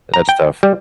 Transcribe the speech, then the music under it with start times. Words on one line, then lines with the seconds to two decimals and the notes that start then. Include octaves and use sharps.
That's tough.
0.14 A#5
0.29 G5
0.63 G3